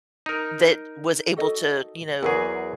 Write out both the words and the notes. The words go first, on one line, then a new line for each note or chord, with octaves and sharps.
that was able to, you know,
D#4 A#4
F#4 A4 D#5
E2 F#3 G#4 A#4 F#5